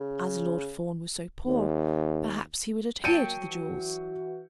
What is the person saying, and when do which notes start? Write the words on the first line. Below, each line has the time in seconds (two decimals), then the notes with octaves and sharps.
As Lord Fawn was so poor, perhaps he would adhere to the jewels.
0.01 C#3
1.46 D#2
3.04 F#3 A#3 G5 A5 G6 C#7 D#7
3.45 E3 F#4